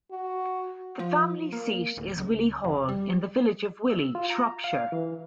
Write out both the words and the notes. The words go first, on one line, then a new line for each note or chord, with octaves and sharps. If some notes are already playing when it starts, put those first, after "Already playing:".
The family seat is Willey Hall, in the village of Willey, Shropshire.
F#4
F3
A#3
D1
C#2
F1
G3
E6
F4
A#5
F5
E3